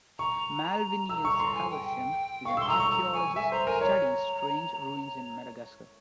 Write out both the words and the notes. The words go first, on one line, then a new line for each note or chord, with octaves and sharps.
Malvineous Havershim is an archaeologist studying strange ruins in Madagascar.
A#5 C#6
A#5 E6
C#6
A#5
C6
G#5
G5
G5
F5 C#6
E6
C6
A#5 E6
C#6
A#5 E6
G#5 C#6
E5 G#5
C5 A#5
A#4 G#5
C#5 A#5